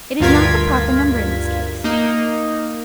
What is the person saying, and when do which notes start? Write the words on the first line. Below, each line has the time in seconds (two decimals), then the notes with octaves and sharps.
It is not the proper number in this case.
0.20 D2 G2 F4 A#4 G#6 B6
1.84 A#3 D#4